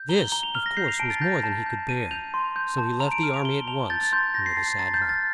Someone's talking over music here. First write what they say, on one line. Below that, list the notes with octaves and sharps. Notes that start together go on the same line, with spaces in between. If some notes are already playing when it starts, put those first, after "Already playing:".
This, of course, was more than he could bear, so he left the ar-my at once, and with a sad heart.
Already playing: G6
A#5 G7
G7
A#5 G7
F7
F6 F7
A#6
G6 C7
F7
A5 D7
A6
G6 A#6
A5
G6
A5 D#7
G6 F7
C6
G6
A5
A#5 F7
D7
F6 D7
F7
G6 G7
A5 F7
G6 A6
A6
C6 G6
A6
G6 A#6
C7
A5 A6
G6
A#5 A6
G6
F6
A6